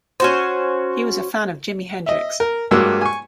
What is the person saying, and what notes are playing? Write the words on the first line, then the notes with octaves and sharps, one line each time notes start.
He was a fan of Jimi Hendrix.
C#4 F#4 C5
D#5 E5
A#4
G2 F#3 G#3 A#3 E6
G#5 C#6